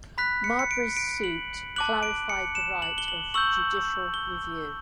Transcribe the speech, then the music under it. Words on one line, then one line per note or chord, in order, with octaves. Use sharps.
Marbury's suit clarified the right of judicial review.
B5 F#6 B6
C#7
C#7
D7
D7
F#7
A5 D6 F#6 F#7
D7
C#7
E7
F#7
G7
F#7
C#6 E6 G6 F#7
G7